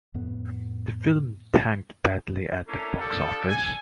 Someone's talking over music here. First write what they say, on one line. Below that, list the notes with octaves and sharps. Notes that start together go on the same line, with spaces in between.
The film tanked badly at the box office.
F2 A2 B3
A3 A#3 C#4 D4 E4 A4
F3 G3 D4 A4
G#5